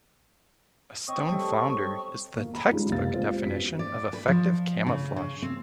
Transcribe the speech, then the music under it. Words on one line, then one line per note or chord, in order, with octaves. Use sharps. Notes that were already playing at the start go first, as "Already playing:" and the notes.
A stone flounder is the textbook definition of effective camouflage.
C4 C#5 D#5 C#6
G3 A4
A#3
A#5 B5
G3 G#3 C#4 D#4 F4
F#1 C2 F5 A6
G3 G#3 C4 F4 C5 F5
F#2 B3 C4 B6
D5
B4
F3
C#3
C#3
C4